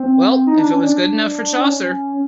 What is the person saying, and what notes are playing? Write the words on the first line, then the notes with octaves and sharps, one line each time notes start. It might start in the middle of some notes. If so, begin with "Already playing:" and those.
Well, if it was good enough for Chaucer.
Already playing: C4
D#4
D4
C#4
D4
D4
C#4